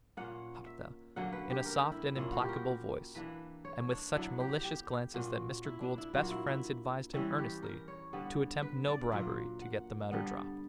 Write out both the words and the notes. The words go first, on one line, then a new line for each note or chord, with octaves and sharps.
Marta, in a soft and implacable voice, and with such malicious glances that Mr. Gould's best friends advised him earnestly to attempt no bribery to get the matter dropped.
A#2 A#3 C#4 F#5
E5
D3 F#3 A#3 C#4 F#5
B4
G4
A#4
E4
A#2 A#3 C#4 E4
F#4
G4
A#4
E3 A#3 D4 B4
C#5
D4
D3 F#3 B3 D4 E4
G4
G4
A#2 A#3 C#4 F#4
E4
D4
E4
A#2 F#3 A#3 F#4
E4
E4
E3 G3 C#4 E4
G4
A#4
C#5
D3 G3 B3
B4
D5
A#2 F#3 A#3 E5
F#5
G2 D3 G3 B3